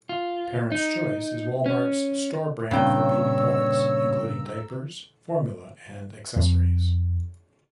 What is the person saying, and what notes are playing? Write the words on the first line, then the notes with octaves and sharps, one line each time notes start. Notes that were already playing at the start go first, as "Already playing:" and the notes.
Parent's Choice is Walmart's store brand for baby products, including diapers, formula, and accessories.
F4
D#4
C#4
G2 A#2 C#3 C4 C#5 G5 A#5 E6
F2